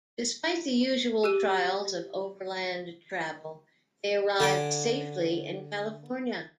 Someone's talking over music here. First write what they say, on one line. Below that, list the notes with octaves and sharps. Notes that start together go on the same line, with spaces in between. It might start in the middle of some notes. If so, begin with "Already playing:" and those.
Despite the usual trials of overland travel, they arrived safely in California.
G4 E6 F#6 D#7
D3 G#5 D6